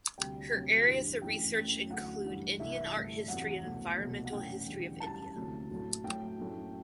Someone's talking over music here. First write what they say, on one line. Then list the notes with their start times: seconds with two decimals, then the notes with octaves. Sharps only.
Her areas of research include Indian Art History and Environmental History of India.
0.18 D2 C3 G3 G5
0.53 D2 C3 F#3
0.87 G2 E3 G3
1.22 F#2 E3 A3 G5
1.56 F#2 F#3 A3
1.90 D2 D3 F#3 A3 F#5
2.24 G2 E3 G3
2.59 C2 C3 E3 E5
2.94 G2 D3 A3
3.28 E2 C3 F#3 F#5
3.63 C2 B2 A3
3.98 C2 B2 F#3 A3
4.25 F#5
4.32 F#2 E3 A3 G5
4.67 E2 D3 G3
5.00 F#2 E3 G3 A5
5.36 D2 C3 F#3 A3
5.71 A2 F#3 A3
6.04 A2 F#3 A3 G5
6.39 F#2 F#3 A3